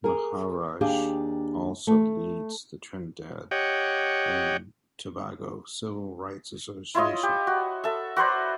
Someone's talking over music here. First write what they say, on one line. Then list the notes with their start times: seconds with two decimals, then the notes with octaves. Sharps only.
Maharaj also leads the Trinidad and Tobago Civil Rights Association.
0.04 G#4 A#4
0.81 D#2 D4 G4 G#4 F5
1.87 A3
3.51 G4 C#5 D#5 F#5 G5
6.95 E4 F4 C#5 D#5
7.23 G4
7.47 F#4
7.84 A4 E5
8.16 F#4 B4 C5 D5